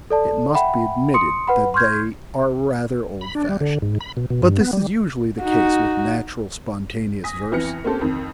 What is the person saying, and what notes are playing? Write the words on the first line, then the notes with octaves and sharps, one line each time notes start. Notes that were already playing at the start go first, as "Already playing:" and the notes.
It must be admitted that they are rather old-fashioned, but this is usually the case with natural spontaneous verse.
A4 D5 A5
E5 F#5 G5 B5
C6 D#6 C#7
B4 F#5 B5
C6 C#6 F6 G6 G#6
B5
D4
G3
D3
G#2
B5
B2
B2
G2
B3
G3
D#4 F#4
G#5 D#6 A#6 B6
F2 E3 B3 F6 A#6 C#7
A#3 C4 C#4 G4 A4 C5
F2 D#3